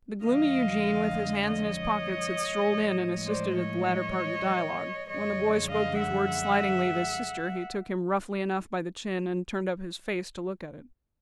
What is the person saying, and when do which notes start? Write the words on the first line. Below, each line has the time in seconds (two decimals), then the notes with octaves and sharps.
The gloomy Eugene, with his hands in his pockets, had strolled in and assisted at the latter part of the dialogue; when the boy spoke these words slightingly of his sister, he took him roughly enough by the chin, and turned up his face to look at it.
0.24 F2 D3 F3 G#3 D#5 F5
1.45 C#5 D#5
2.67 A2 F3 G#3
3.27 C5 D5
3.58 C#5 D#5
5.09 F#2 D3 F3 G#3 C#5 D#5
5.69 D#5 F5
5.99 E5 F#5